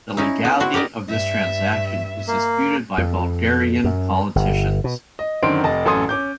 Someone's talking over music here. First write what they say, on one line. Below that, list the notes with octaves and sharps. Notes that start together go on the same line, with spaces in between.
The legality of this transaction is disputed by Bulgarian politicians.
C#4 D#4 E4
B3
C4 E4 F#4
G4 A#4 D5 D#5
G2 E5
A#3
F2
F#2
G1
B2
D#5
F#2 D3 D#3 C4 C6 D7
F1 D#5 A5
A1 F#2 A4 G#5 C6 D#6
C#4 D6 G6